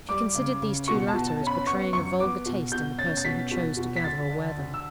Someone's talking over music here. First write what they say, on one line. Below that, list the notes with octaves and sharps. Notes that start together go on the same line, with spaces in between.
She considered these two latter as betraying a vulgar taste in the person who chose to gather or wear them.
G3 D6
C#3
C#3
B2 C#6
A5
B2
A5
C#4
B5
B3 C#6
F#2 C#6
B3 D6
B2
B2 G6
C#4 A6
A6
B2 B6
B2
B2
B6
D2 A6
D3
D2
E6